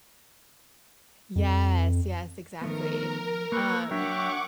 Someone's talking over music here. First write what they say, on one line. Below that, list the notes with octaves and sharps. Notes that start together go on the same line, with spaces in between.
Yes, yes, exactly. Um,
F2
D#3 F3 A3 B3 A#4
A#3 B4 C#6 E6
F#3 D4 C#5 E5 F#5 G5 C#6 D6